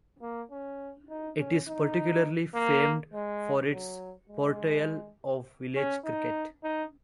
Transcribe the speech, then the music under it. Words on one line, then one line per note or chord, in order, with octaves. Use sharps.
It is particularly famed for its portrayal of village cricket.
A#3
C#4
D#4
C#4
D#4
A#3
G#3
F#3
G#3
C#4
D#4
D#4